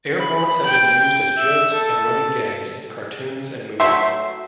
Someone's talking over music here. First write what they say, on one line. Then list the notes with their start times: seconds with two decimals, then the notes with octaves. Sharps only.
Air horns have been used as jokes, and running gags in cartoons and movies.
0.20 B5
0.66 G5
1.37 E5
1.74 A4
3.80 F#3 A3 E5 C6